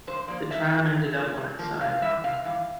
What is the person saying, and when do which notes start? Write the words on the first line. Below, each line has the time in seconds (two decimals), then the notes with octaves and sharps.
The tram ended up on its side.
0.07 G2 C5
0.28 F3 A#3 D5
0.50 G2 E5
0.72 F3 A#3
0.93 G2
1.15 F3 A#3
1.37 G2
1.59 F3 A#3
1.81 C3 F5
2.02 E3 G3 E5
2.24 C3 F5
2.45 E3 G3 F5